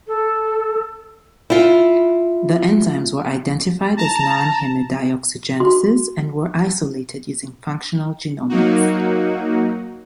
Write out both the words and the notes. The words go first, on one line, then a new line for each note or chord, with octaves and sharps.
The enzymes were identified as non-heme dioxygenases, and were isolated using functional genomics.
A4
E4 F4
A5 A#5
F#4 C6
F#3 A#3 D#4 F#4